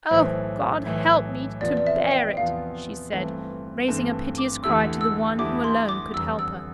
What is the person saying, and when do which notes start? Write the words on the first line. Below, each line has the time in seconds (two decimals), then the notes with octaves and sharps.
"Oh, God help me to bear it!" she said, raising a piteous cry to the One who alone could help her.
0.11 B1 A2 E3 C5
0.86 B1 A2 E3
1.61 E2 C3 F3 B3 F4 D5
1.77 D5
1.87 E5
2.11 G5
2.37 E2 C3 F3 B3 F4 F5
3.12 G1 G2 E3 A3 C4
3.87 G1 G2 E3 A3 C4 A5
4.38 D6
4.64 E2 D3 A3 E4 G4 E6
5.01 E6
5.38 E2 D3 A3 E4 G4 D6
5.64 C6
5.89 D6
6.13 F1 E2 D3 G3 E6
6.39 E6